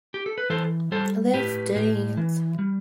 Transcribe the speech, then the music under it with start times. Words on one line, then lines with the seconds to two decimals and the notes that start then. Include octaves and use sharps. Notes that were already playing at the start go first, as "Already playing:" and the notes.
Let's dance.
0.14 G4
0.26 A4
0.38 B4
0.50 E3 A4 C5
0.92 G3 A4 C5
1.34 A2 G4 B4
1.76 A2
2.17 E3
2.59 G3